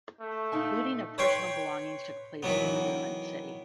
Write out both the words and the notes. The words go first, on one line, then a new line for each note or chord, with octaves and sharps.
Looting of personal belongings took place in the ruined city.
A3
A#2 D#4 A5
B4 C#5 G5 C6 C#6
D#3 E3 F#3 B3